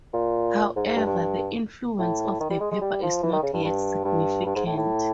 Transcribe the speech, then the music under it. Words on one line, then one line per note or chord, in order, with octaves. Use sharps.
However, the influence of the paper is not yet significant.
A#2
G#2
G#2
G2
G2
A2
D#3
G3
G#3
G#3
G3
F3
E3
D#3
C#3
G2
G2
G2
G2
G#2
A2
A2